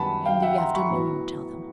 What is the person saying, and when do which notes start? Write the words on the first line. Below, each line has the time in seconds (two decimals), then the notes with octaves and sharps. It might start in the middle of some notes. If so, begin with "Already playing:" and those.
'In the afternoon, tell them.
Already playing: F#2 D#3 G3 B3 F#5 G#5 A5 B5
0.25 F5 G5
0.42 E5 F#5
0.58 A#5 C6
0.74 B5 C#6
0.90 A2 F#3 B3